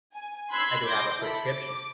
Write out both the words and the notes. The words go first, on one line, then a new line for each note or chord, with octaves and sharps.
I do have a prescription.
G#5
B5 C6 E6 F#6 G#6 C7
C6 D6 G6 A#6
E4 A4 B5
D6